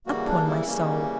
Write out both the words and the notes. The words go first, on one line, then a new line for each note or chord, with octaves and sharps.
Upon my soul!
C#3 E3 G3 A#3 F#4
D4
E4
C#3 E3 G3 A#3 C#4